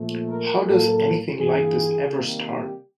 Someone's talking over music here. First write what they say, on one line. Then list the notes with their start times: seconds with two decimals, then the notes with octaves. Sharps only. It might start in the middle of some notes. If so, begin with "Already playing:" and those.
How does anything like this ever start?
Already playing: A#2 F3 A3
0.28 A#4
0.66 A2 F#3 A#3 A4
1.39 G2 E3 G3 A#3 G#4
2.12 C3 D#3 G3 A#3
2.49 G4